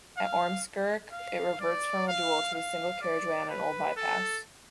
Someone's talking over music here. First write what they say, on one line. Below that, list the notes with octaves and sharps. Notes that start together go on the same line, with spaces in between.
At Ormskirk, it reverts from a dual to single carriageway on an old bypass.
F5
F5
D5
F5
F5
D5
B4
A4